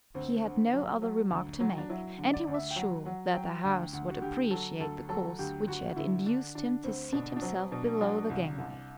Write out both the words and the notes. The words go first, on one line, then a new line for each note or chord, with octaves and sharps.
He had no other remark to make, and he was sure that the House would appreciate the course which had induced him to seat himself below the gangway.
D2 C4
D3
F#3
F#3
D2
F#3
D4
F#3 E4
D3
D5
D2
E5
G5
F#3 F#5
F#3 F#5
F#3 G5
D2 G5
D2 F#5
F#4
D3 G4
F#3 A4
D2 A4
F#3 A4
D2 G4
D2 F#4
D3 E4
D3 D4
D3 D4
D2 C4
B2 D4
D4
F#3 C4
B2 D4
F#3 D4
C2
C2